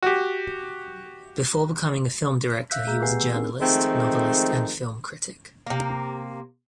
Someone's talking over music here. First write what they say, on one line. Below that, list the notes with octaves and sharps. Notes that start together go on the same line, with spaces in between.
Before becoming a film director he was a journalist, novelist and film critic.
F#4 G4
E5 F5 E6 F#6 G6 B6
A3 G#4 A#5 E6 G6
B3 G4 B4 F#5 G#5 C7
E6
C4 D4 D#4 G#4 A#4
D#3 F3 G#3 A3 C4
C3 A#3